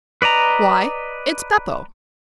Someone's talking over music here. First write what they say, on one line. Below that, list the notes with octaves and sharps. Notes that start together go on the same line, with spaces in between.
Why, it's Beppo.
B4 D5 D#5 A#5